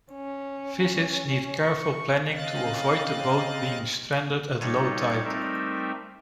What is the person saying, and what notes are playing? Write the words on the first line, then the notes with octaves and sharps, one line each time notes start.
Visits need careful planning to avoid the boat being stranded at low tide.
C#4
C#6
C#3 C4 D#5 F5 F#6 A6
G3 D#4 F4 A4 C#5
G3 A3 C4 D#4 A#4 E5